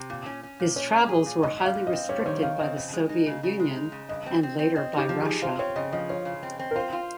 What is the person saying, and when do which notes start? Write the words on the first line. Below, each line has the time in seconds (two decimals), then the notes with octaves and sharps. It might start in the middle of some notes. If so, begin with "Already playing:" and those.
His travels were highly restricted by the Soviet Union and later by Russia.
Already playing: C3
0.10 A#2
0.26 C#4
0.43 C#4
0.60 A#2
0.76 C#4 C#5
0.93 A#2
1.09 G#4
1.26 A#2
1.43 G#2 D#5
1.59 G3
1.65 F5
1.76 G#2
1.87 D#5
1.93 C4
2.09 G3 C#5
2.19 C5
2.26 D#3 C#5
2.42 D#3 F5
2.59 C4 D#5
2.76 C#3
2.93 G#3
3.09 D#4
3.27 C#3
3.43 C#3
3.60 G#3
3.76 D#4
3.92 C#3
4.09 G2 D#5
4.26 C4
4.43 C4
4.59 C4
4.76 C4 D#5
4.93 D#4 G4
5.09 F3
5.21 G#4
5.25 D#4
5.42 F4 C5
5.59 C4 C#5
5.76 C#3 D#5
5.93 F3 D#5
6.09 F4 C#5
6.25 C#3
6.43 C4
6.59 C4
6.71 A#4
6.76 F4 C5
6.93 F4